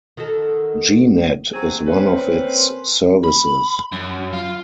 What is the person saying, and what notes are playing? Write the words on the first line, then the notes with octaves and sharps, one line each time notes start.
G-Net is one of its services.
D#3 F#4 A4
F#3 C4 G#4
A#3 C4 C#4 B4 C5
B5
F#2
F4